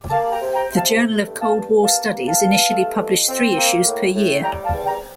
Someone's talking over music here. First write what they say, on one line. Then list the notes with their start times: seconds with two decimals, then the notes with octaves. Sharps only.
The "Journal of Cold War Studies" initially published three issues per year.
0.10 A#3 F5 A5
0.32 G5 A#5
0.39 C3
0.54 G5 A#5
0.68 C3
0.75 F5 A5
0.97 A3
1.26 G2
1.40 F5 A5
1.54 G2
1.83 A#3 F5 A5
2.13 G2
2.27 F5 A5
2.41 G2
2.70 A3
2.99 F2
3.28 C4
3.57 A#3
3.85 A2
4.14 A2
4.43 G3 G5 A#5
4.64 F5 A5
4.72 E2
4.86 G5 A#5